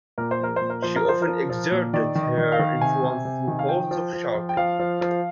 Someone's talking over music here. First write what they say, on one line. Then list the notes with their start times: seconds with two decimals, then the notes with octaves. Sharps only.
She often exerted her influence through bouts of shouting.
0.18 A#2 A#4
0.31 C5
0.40 F3 A#4
0.56 A#2 C5
0.70 A#4
0.82 F3 C5
0.96 A#4
1.05 F3 C5
1.22 A#4
1.28 F3
1.50 F3
1.72 A#2
1.93 D#3 D5
2.15 D#3
2.23 D#5
2.37 D#3
2.52 F5
2.59 D#3
2.81 C3 G#5
3.03 C3
3.25 C3
3.48 D#3
3.59 F5
3.69 F3 G5
3.91 F3
4.13 F3
4.35 F3
4.49 G5
4.57 F3 F5
4.79 F3
5.01 F3